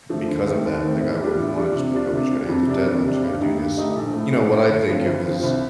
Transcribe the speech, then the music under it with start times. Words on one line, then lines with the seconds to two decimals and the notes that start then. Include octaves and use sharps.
because of that, like, I wouldn't wanna just be, like, "Oh, we just gotta hit the deadline. Just gotta do this," you know, what I think of is
0.09 D3 F3 A3
0.28 D#2
0.47 D#3 A3 C4
0.65 D#2
0.83 D#3 A3 C4
1.01 A2
1.21 G3 D4 F4
1.38 A2
1.56 G3 D4 F4
1.75 C3
1.94 G3 D4 F4
2.12 C3
2.30 G3 D4 F4
2.49 F2
2.66 C3 G3 D4
2.86 F2
3.03 C3 G3 D4
3.22 G2
3.40 D3 A3 D#4 G4
3.59 G2
3.77 D3 A3 D#4 G4
3.96 A#1
4.13 A2 A3
4.32 A#1
4.50 A2 A3
4.69 G1
4.87 G2 F3 C4 F4
5.05 G1
5.24 G2 F3 C4 F4
5.43 C2